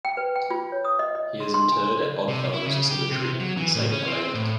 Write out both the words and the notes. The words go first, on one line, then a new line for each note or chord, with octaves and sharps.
He is interred at Odd Fellows Cemetery in Saint Helena.
G5
B4
G5
F4
C#5
D#6
D#5
D#5
C6
C6
G#5
C6
C3
E4
C#3
G4
C3
F#3
E3
A2
C#4
C4
A2